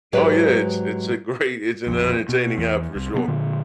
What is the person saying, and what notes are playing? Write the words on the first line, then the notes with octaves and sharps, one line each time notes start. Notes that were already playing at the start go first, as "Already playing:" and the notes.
Oh, yeah. It's It's a great It's an entertaining app for sure.
G#2 F#3 G#3 G4 B4
A#1 F2
B2
E2
C2
C3 F#3 B3
A#2 D3